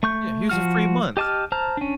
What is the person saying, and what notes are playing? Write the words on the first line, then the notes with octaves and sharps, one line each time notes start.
Yeah, "Here's a free month.
A3 C#6 G6
F3 F#4 F6
G4 D#5 A5 D6 F6
C5 A5 A#5 F6
C#4 D4